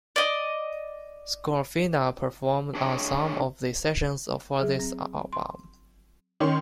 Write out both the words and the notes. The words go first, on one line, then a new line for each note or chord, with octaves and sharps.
Scorfina performed on some of the sessions for this album.
D5 D#5
D4 G#4 C#5 D#5 G5
F#3 G#4
C4
C6
D#3 C#4 C6